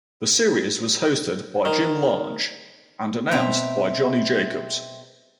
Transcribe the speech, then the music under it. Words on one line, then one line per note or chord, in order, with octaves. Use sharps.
The series was hosted by Jim Lange and announced by Johnny Jacobs.
D#3
B2 C4 E5 A#5